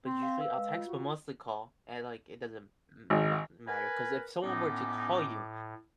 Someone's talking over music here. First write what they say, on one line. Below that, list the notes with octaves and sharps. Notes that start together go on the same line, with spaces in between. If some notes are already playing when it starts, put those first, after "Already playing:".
but usually, I'll text, but mostly call, and, like, it doesn't m bo matter, 'cause if someone were to call you,
C4
F5
B4 F5 E6
G#3
F4
F#4
G#1
A#4 B4 G#5
A2 B3 C#4 D#4 D6